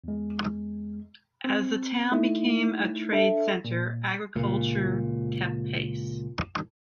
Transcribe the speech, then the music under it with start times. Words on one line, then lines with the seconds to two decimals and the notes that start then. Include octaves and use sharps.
As the town became a trade center, agriculture kept pace.
0.04 E2 G#3
1.44 C4
2.12 A3 D#4 E4
3.12 D4 A4 E5
3.65 A#2
4.35 C#2 A#2